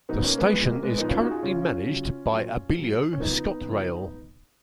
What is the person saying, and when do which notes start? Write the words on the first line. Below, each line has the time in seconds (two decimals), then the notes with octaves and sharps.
The station is currently managed by Abellio ScotRail.
0.09 B2 F#3 B3 D#4
0.23 A#3 C#4
0.38 G#3 B3
0.53 A#2 F3 G#3
0.68 A#3
0.83 G#3 B3
0.98 A#2 F3 B3 D#4
1.09 C#4 F4
1.20 D#4 F#4
1.31 F4 G#4
1.42 C#3 F3 C#4 F4
1.87 C#3 F#3
2.31 A#2 F#3
2.77 A#2 F#3
3.13 C#4
3.20 C#3 F3 B3 D#4
3.64 C#3 F3